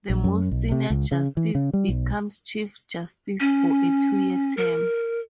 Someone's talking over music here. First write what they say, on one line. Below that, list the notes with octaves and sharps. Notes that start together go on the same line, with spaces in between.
The most senior justice becomes Chief Justice for a two-year term.
A#1
F#2
B1
C3
C#2
C#3
E3
C#3
G3
B1
C#4
A#4